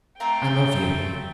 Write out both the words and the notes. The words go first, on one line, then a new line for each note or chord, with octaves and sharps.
"I love you!"
A3 C4 F5 G5 A#5 C#6